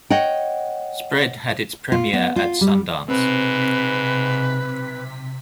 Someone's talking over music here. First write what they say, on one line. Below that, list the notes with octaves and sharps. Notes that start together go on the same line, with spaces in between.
Spread had its premiere at Sundance.
C#5 D#5 F#5 G5
F4
B3
F4
G3
B1 G#2 C3 C4 B4 B6